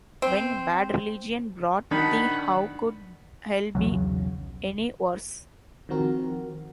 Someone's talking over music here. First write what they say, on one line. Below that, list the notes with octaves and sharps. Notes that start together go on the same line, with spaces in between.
When Bad Religion brought the How Could Hell Be Any Worse?
C4
D#3 D4 F#5 B5
B1 E2 C#3 F#3
D#3 F3 C4 F#4 A#4